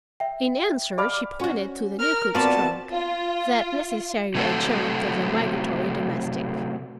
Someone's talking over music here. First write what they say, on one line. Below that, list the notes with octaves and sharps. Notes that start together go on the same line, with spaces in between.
In answer she pointed to the new cook's trunk--that necessary adjunct of the migratory domestic.
E5 G5
D5 F5 B5
C#4 F#4
A#4 F6
B3 C4 F4 F#4 D5 A5
F4
C3 F#3 A3 F4 F#4 A4